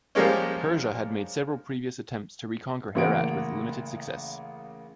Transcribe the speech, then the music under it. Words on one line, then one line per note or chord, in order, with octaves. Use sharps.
Persia had made several previous attempts to reconquer Herat with limited success.
F3 G3 G#3 A#3 C#4
A1 C#3 A#3 F#5 D7